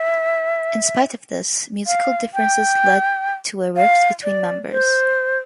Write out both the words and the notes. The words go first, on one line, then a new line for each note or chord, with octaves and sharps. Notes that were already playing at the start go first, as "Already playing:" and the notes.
In spite of this, musical differences led to a rift between members.
Already playing: E5
F5
G5
F5
D5
C5